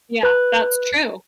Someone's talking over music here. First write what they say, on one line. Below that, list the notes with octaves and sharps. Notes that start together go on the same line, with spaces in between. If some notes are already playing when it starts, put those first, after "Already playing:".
Yeah, that's true.
B4 F#6